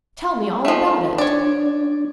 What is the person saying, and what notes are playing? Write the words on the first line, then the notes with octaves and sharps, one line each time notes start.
Tell me all about it.
F3 A3
D4 C#5 D5